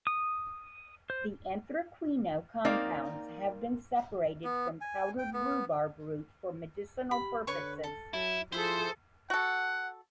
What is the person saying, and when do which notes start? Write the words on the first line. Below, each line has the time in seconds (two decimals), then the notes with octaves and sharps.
The anthraquinone compounds have been separated from powdered rhubarb root for medicinal purposes.
0.07 D#6
1.10 C5
2.65 A#3 C4 D#4 A#4 D5
4.44 B3
4.81 G#5
5.18 G5
5.34 B3
7.11 G4 B5
7.47 D3 B4 C#5 C#6
7.84 A4
8.14 F#3 E4
8.52 F3 E4 G#4 A4 C5 E5
9.30 F#4 A4 F#5